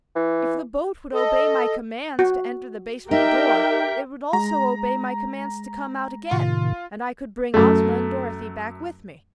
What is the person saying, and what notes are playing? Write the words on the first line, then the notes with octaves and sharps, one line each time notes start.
"If the boat would obey my commands to enter the basement door, it would also obey my commands to come out again, and I could bring Ozma and Dorothy back with me."
E3
A4 D#5
F#4
D#4 G4 A#4 E5 G5
G#3 A#5
A2 C3 D#3 F4
F#2 A3